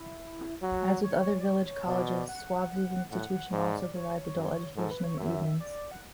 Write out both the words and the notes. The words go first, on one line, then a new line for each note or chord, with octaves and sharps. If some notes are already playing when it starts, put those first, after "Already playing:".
As with other village colleges, Swavesey's institution also provides adult education in the evenings.
Already playing: E4
F#3 F#4
C#5
D5
C#5
B2 D5
F#5
A2 F#5
G#2 D5
C#5
F#2
G#2 A4
B4
C#5
F#2 E5
D5
F#5